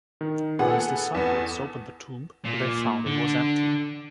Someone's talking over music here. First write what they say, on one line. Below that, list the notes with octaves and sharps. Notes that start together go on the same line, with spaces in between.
When his disciples opened the tomb, they found it was empty.
D#3
A#2 B3 G#4 F#5
A4
E2 B3
A#2
D3